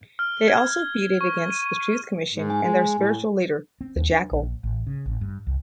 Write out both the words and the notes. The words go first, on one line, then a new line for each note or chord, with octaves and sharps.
They also feuded against the Truth Commission and their spiritual leader, The Jackyl.
F6
G#6
C#6
D#7
G#2
G#5
G#3
A2
C4
D#2
D4
A#1
A1
C#3
A1
G2
C2